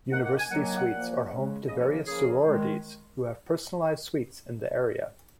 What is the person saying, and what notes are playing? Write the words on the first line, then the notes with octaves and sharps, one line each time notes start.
University Suites are home to various sororities who have personalized suites in the area.
D#3 A#3 F#5
F#5
G#5
D#3 F#3 A#3 F#5
G#5
F#5
A#2 F3 A#3
C#3 G#3
C#3 F3 A#3 D#5
C#5
A#4
C#3 F3 A#3 G#4
D#3 G#3